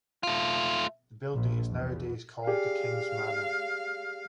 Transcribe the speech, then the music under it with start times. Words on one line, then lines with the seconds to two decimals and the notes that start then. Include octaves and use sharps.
The building is nowadays called the King's Manor.
0.23 A3 F4
1.35 A#1
1.70 E2
2.47 G4 G#4 D5 F5